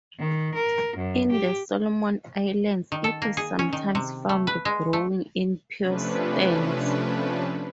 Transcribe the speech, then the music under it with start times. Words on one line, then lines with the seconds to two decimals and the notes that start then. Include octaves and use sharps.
In the Solomon Islands it is sometimes found growing in pure stands.
0.19 D#3
0.55 A#4
0.97 F#2
1.32 G4
2.92 D#3
3.04 A4
3.22 A#3
3.37 G#4
3.59 C#4
3.73 D#3
3.95 C3
4.29 A3
4.47 B4
4.65 G#3
4.93 A3
5.81 C3 F3 A3 C#4 D4 B4